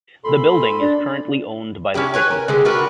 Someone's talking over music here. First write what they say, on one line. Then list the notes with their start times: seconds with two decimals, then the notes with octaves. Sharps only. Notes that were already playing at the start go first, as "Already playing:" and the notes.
The building is currently owned by the City.
0.24 A#2 A4 B5 C6
0.80 D4 D5
1.94 C#4 D4 E4 G4
2.14 B4 C#5 G#5
2.31 A#4
2.48 D3 G#3 G4
2.65 D4 F#4 A#4 B4